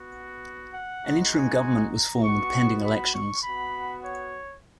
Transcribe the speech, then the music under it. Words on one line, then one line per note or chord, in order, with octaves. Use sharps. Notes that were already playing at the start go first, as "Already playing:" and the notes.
An interim government was formed pending elections.
Already playing: B3 F#4
F#5
G#3 D#4 F#4
G#5
A#5
B3 F#4 C#6
B5
C#6
B3 F#4 B5
C#5